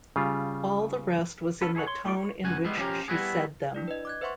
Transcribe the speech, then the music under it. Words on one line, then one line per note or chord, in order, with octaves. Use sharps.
All the rest was in the tone in which she said them.
C#3 G3 F4
F#3 C#4 F4 A4 B4
E4 G#4 A4 C#5 F#5
C#5 C6
G3 A3 D#4 F4 D5
C#5
C#2 F#2 F#4 G#5
G3 G#3 B3 E4
F3 C#4 G4 A#4
G3 B3 E4 F#4 G#4
D4 E4 D5
B4 D#5
D6 F#6 G#6
B4 C5 E5 F#5 C6 C#6